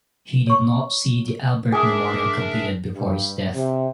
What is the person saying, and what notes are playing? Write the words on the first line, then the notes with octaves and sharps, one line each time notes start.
He did not see the Albert Memorial completed before his death.
C#5 C#6
D4 G#4 A#4 E5 G5 D6 D#6
G2
C3